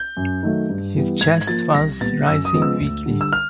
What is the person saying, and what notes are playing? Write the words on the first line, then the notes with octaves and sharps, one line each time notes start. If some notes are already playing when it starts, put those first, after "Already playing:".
His chest was rising weakly.
Already playing: G6
F#2
D#3 F#3 A3
G2
E3 G3 B3
G#2 G#6
G#6
F3 A#3 A6
C2 A#6
A#2 G3 B3 A6
F#2 E6
D#6
C#3 F3 G#3 B3
E6
D2
D3 G3
E6
F6